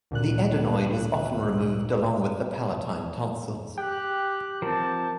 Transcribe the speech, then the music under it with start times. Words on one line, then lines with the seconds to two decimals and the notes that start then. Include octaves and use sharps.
The adenoid is often removed along with the palatine tonsils.
0.11 D2 A#2 F#6
3.78 G4 G5 F#6
4.62 F3 C4 A#4 A5 D6